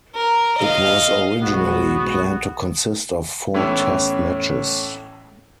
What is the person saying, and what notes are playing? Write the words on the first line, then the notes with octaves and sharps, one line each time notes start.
It was originally planned to consist of four Test matches.
A#4
D#5 F5
B1 G#3 B3 F#4
A2 E3 B3 C#4 E4